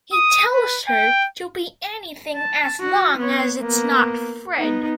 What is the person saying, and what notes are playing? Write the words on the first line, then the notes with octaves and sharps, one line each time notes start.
He tells her to be anything as long as it's not Fred.
D#6
B4
G5
A5
F#4
B3 C#5
A#3 B3
B3 D#4